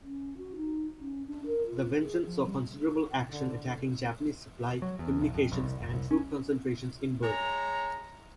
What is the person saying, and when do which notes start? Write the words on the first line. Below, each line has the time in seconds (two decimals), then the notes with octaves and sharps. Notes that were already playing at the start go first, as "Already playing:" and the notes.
The Vengeance saw considerable action attacking Japanese supply, communications and troop concentrations in Burma.
0.02 C#4
0.37 F#4
0.56 D#4
1.00 C#4
1.27 D4
1.46 A#4
1.67 F4
1.99 G#4
2.26 F3
2.44 G3
3.30 D3
4.82 F#3
4.99 E2
5.21 B1
5.34 F2
5.52 B1
5.64 C2
5.80 F1
5.94 C2
6.11 C#4
7.23 G#3 C#5 A#5